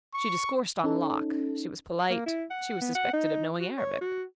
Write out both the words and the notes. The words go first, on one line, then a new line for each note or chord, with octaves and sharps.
She discoursed on Locke; she was polite; she was suspected of knowing Arabic.
C#6
C#4 D#4 A4
A#3
E4
F#5
B3
F#5
D#4
F#4
C#5
F#4